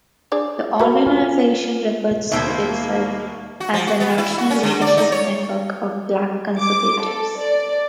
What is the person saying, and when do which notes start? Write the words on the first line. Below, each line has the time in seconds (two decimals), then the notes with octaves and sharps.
The organization refers to itself as the National Leadership Network of Black Conservatives.
0.32 D4 G#4 D5
0.79 A#3 F#4 A4 B4
1.06 F4 G#5
2.32 D#2 B2 A#3 C5 E5 G5 A5 G#6
3.60 F#4
3.74 F3
3.87 F#4
4.00 B3
4.18 E4
4.38 F#4
4.51 C#4
4.63 D3
4.81 D5
4.97 D#4
5.12 C#5
6.59 D6
7.02 A4
7.40 D5